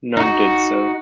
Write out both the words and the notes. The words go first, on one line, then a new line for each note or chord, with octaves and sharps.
None did so.
D#4 F#4